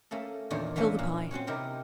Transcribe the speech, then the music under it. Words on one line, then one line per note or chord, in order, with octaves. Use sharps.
Fill the pie.
A3 A#3 C#4 A4
E2 A#2 D#3 D4 C5 C#5
E3 F#3 A#3 C#4 D4
A#2
C4 C#4 F#4 C#5
C3 D#4 E4 G4 A#4 G5